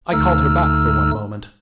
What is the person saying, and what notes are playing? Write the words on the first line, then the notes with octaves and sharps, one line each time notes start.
I called her back for one moment.
D2 D3 A3 D#4 E6 F6